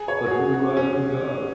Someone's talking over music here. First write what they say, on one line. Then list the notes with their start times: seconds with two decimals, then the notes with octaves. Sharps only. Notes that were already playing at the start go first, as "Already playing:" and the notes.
But you were a little girl.
Already playing: G#4
0.08 C#5
0.26 F#4
0.31 G#4
0.54 F#4
0.77 C#4